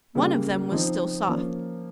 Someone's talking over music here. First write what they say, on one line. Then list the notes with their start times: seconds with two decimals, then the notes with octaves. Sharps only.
One of them was still soft.
0.15 C#3 G3 A#3
0.71 F3 C4 D#4
1.28 F3 A#3 C#4